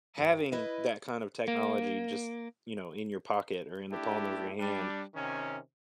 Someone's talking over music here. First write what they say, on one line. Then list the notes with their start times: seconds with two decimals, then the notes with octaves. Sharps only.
having that kind of technology just, you know, in your pocket or in the palm of your hand
0.18 G2
0.52 E4 B4 D#5
1.48 A#3
3.91 A3 D4 E4 G4
4.59 G3 D4
5.15 C3 D#3 C#4